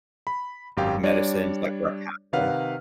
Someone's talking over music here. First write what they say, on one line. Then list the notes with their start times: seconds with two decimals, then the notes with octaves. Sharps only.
medicines like Repatha
0.27 B5
0.77 G#1 F#2 G4 F5 G5
1.03 G3 D4 C#5 D5
2.33 C3 D#3 B4 F5 F#5 F6